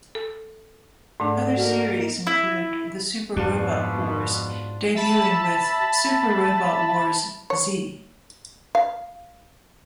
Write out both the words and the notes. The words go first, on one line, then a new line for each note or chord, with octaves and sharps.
Other series include the Super Robot Wars, debuting with "Super Robot Wars Z".
A4
G#2 D3 A3 D4
A#3 D#4 F#4 A#4
E4
F2 G#2 B2 D4 F4
E5 A5 B5
C#5
F5